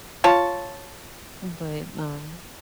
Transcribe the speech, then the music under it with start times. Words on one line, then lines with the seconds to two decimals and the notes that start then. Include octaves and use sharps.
but, um
0.24 F4 C#5 A5